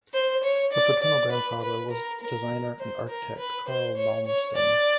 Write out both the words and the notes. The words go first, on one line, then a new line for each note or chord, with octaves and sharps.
Her paternal grandfather was designer and architect Carl Malmsten.
C5
C#5
D5
D5
B4
B4
A#4
A#4
C5
A#4
B4
C5
C#5
C#5
D5